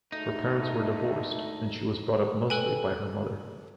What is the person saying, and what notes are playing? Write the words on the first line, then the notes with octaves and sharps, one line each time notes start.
Her parents were divorced, and she was brought up mostly by her mother.
D2 G#3 A3 D#4
A4 B4 G5 G#5